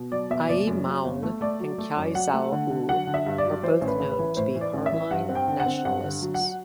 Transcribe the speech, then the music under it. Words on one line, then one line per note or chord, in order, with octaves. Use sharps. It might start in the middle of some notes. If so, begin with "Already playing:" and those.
Aye Maung and Kyaw Zaw Oo are both known to be hardline nationalists.
Already playing: B2
F#3 D5
B2 E5
F#1 D5
F#2
F#3
G1
A3
A3 D5
F#3
A3
F#2
F#3 F#5
A3
D3
D3
F#3 F#5
D3
E5
G2
D5
F#3
E3 C5
A1
B4
A1
B4
E3
A2 C5
E3
D5
A1
E5
E3
G2 F#5
C4
G5
D3
F#5
C4
G2 F#5
D3
F#3
F#5
F#3